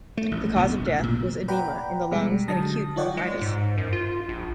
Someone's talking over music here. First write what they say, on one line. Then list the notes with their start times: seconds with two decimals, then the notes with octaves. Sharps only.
The cause of death was edema in the lungs and acute bronchitis.
0.17 A3
0.31 A1
0.56 F1 A#1 A#2 B3
0.85 A1
1.03 A#2
1.48 B4 D5 F#5 G5 A#5 B5
2.11 B2 G3 G#3
2.48 D3 F#3 A5 D#6 A#6
2.96 D#4 F4 C#5 D5 F#5 G5
3.17 G#3
3.41 G#2
3.78 F#2
3.93 F4
4.28 A#1